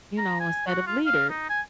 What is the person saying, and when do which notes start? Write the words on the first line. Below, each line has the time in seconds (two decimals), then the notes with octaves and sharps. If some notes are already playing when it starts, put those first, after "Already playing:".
you know, instead of leaders,
0.18 A#5
0.40 G#5
0.67 F#4
0.86 F4
1.06 F5
1.29 D#4
1.50 G#5